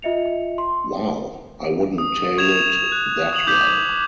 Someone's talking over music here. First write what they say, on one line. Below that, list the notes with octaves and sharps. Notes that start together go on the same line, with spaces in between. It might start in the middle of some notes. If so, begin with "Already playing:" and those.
Wow, i wouldn't tale it that well.
F4 D#5 E5 C#7 F7
C6
D#6
C#6 G#6 E7 F7
F#6
D#6 F7 F#7
C#6 D6 G6 B6 F#7